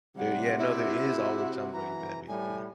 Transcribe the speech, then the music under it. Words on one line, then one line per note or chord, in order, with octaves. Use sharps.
There yeah, no, there is always somebody better, yeah.
C3 G3 F#5
E4 F#4
E3 A#5
A2 G3 G#5